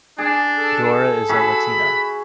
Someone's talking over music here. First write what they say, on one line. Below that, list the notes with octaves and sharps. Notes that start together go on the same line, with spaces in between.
Dora is a Latina.
D4 G#4
A4
F#4 G#4 E5 B5